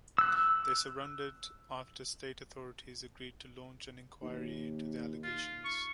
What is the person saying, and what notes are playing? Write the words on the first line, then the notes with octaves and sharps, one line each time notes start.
They surrendered after state authorities agreed to launch an inquiry into the allegations.
E6 F#6
D#2
F4
C#6